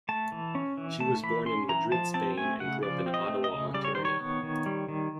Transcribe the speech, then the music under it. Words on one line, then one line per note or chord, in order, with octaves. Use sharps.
She was born in Madrid, Spain, and grew up in Ottawa, Ontario.
A3 A5
E3
C#4
E3
A3 A5
E3 B5
C#4 C6
E3 A#5
F3 A5
C4 A5
A3 G#5
C#3 F#5
F3 D5
C4
D#5
A3
D#5
C#3
G3 D5
C#5
D#3 C5
C#5
B3
D#3
G3
D#3